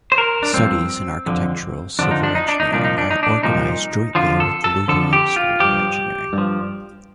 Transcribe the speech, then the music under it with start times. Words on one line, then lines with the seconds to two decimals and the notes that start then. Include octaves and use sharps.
Studies in architectural civil engineering are organized jointly with the Louvain School of Engineering.
0.12 C5
0.18 A#4
0.43 D4
0.53 G2 F3 C4
1.26 F2 D3 F3
1.99 F2 D3 F3 D4
2.11 D#4
2.23 D4
2.35 D#4
2.49 D4
2.60 D#4
2.71 C2 A#2 F3 D4
2.84 D#4
2.98 D4
3.10 D#4
3.23 D4
3.43 C2 A#2 F3 D#4
4.15 F2 D3 F3 F4
4.40 A4
4.64 A4
4.88 F2 D3 F3 A4
5.13 G4
5.36 F4
5.60 G2 F3 G4
6.33 G2
6.38 F3